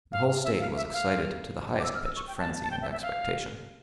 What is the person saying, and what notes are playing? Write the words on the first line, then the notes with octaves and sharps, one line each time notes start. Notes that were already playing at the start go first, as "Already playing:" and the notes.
The whole State was excited to the highest pitch of frenzy and expectation.
F5
E5
F5
E5
F5
G5
D6
E6
F6
E6
C#6
G5
A5
A5
G5
E5
E5
F5